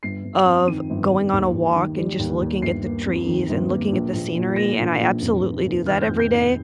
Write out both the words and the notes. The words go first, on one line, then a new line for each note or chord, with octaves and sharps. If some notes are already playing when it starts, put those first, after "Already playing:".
of going on a walk and just looking at the trees and looking at the scenery, and I absolutely do that every day.
G1 C7
G1
F2
D#3 D#7
G1
G1
D#2
D#2
D#3
G3
D#2
D#2
G1 C7
A#3
F2
D#3
G1
A#3
A#1
A#1
A#2
A#3 A#6
A#1
A#1
F1
F1
D#2
D#3 F6
G6
F1
G6
F1
C7